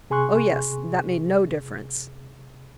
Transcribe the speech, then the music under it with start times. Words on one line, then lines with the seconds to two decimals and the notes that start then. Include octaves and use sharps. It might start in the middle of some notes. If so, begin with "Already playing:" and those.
"Oh, yes; that made no difference."
0.10 C3 G#4 G#5 C6 C#6 F#6